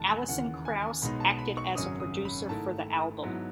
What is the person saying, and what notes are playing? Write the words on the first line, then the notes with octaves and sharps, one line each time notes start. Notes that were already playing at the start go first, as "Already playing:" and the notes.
Alison Krauss acted as a producer for the album.
Already playing: E1 E2 D#3 G#3 A5
G#5
D#2 C#3 E3 F#5
G#5
B1 B2 G#3 B3 D#4 B5
A5
B5
C#6
G#1 F#2 C#3 F#3 C#4 D#6
D#6
B5
G#2 D#3 A3 E4 A5
G#2 F#3 B3 E4